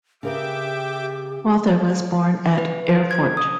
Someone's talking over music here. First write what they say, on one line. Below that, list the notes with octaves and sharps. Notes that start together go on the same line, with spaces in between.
Walther was born at Erfurt.
C#3 G4 A#4 B4 E5 G5 D6
B4
C5
G#6
D#6